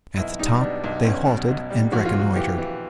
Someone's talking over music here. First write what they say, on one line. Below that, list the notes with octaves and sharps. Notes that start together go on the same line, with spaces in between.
At the top they halted and reconnoitred.
B1 E4
G3 D#4
B2 D4
B1 D4
B1 C#4
B2
B1
G3
A#1 F#4
F4
A#1
F#4
E3 G4
E3